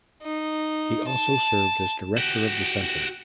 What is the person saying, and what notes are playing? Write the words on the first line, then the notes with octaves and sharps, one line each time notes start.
He also served as director of the Center.
D#4
A5
F#4 G4